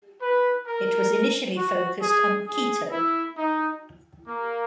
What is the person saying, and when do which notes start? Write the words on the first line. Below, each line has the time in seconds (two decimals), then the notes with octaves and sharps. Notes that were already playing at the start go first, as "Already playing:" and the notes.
It was initially focused on Quito.
0.21 B4
0.67 A#4
1.57 F#4
2.02 G#4
2.46 G#4
2.92 E4
3.37 D#4
4.28 A#3